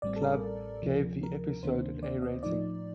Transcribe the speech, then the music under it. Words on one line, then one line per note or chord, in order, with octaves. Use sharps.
Club gave the episode an A rating.
A1 A2 G3 C4 D5
A4
A#4
D2 C3 F3
A#4
D2 C3 D#3 A#3 D4 C5
D5
D#5
A2 F3 A3 D#4 D5